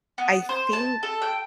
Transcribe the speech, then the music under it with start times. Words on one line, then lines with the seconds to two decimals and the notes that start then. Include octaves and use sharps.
I think
0.18 B3
0.49 C5
0.73 A5
1.03 A4
1.22 G5